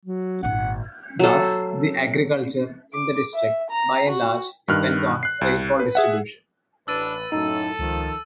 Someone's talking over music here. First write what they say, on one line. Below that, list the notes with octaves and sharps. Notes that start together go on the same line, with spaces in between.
Thus, the Agriculture in the district by and large depends on rainfall distribution.
F#3
G#1 A#2 F#5
F#3 A4
D6
E5
A#5
F#4
G2 D#3 F6 F#6
F#6 C7
C2
B4
G#4 E5 F#5
A1 D4 B4 E6 A6 D#7
F#2 A2 D#4 A4
C#2 D#3 F3